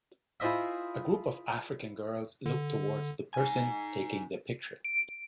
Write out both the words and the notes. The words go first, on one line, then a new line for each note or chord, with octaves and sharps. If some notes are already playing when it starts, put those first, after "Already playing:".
A group of African girls look toward the person taking their picture.
E4 F4 G#4 C5 D#5 E5
D3
D#4 G#5
D7